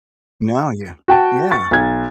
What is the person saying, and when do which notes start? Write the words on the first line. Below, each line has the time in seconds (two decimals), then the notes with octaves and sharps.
No, yeah. Yeah.
1.08 F#4 G5 A5
1.51 C#6 A6
1.71 B1 G#6